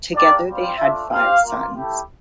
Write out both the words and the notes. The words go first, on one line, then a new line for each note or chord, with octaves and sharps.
Together they had five sons.
A#3 D4 G4 D5
G3 C4 F4
A3 D4 F4 E5
C4 G4 F5
A#3
F4
A3 E4 G4